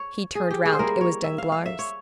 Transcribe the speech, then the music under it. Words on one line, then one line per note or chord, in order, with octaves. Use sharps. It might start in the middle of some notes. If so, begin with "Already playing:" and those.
He turned round; it was Danglars.
Already playing: C#5
G#4
G4
G#4
C5
G3 A#3 E4 A#4
C#5
E5
F5
F5
E5
C#5